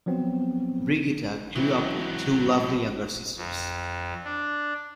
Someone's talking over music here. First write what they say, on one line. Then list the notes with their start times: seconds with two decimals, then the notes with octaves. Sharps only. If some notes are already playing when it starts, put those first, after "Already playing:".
Brigitta grew up with two lovely younger sisters.
0.06 F3 F#3 B3 C4
1.56 G#2 E3 F#3 G3 C4
3.36 F2
4.24 D4